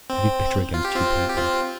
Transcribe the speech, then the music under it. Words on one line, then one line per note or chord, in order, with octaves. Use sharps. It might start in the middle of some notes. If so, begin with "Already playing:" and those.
He's very bitter against you people.
C4
F4
G4
C4 F4
G4
C4 F4